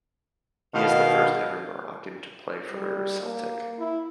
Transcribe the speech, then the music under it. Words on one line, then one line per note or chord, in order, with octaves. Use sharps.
He is the first ever Moroccan to play for Celtic.
B2 D#3 F5
G3
A#3
E4